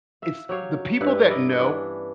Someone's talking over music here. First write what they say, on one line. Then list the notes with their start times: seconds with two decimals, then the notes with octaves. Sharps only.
it's the people that know,
0.22 E5 F5
0.49 F#3 G4 C#5 F5
1.01 G2 E4 B4
1.30 E4 A#4 D5 D#5
1.59 E3 B3 C#4 D4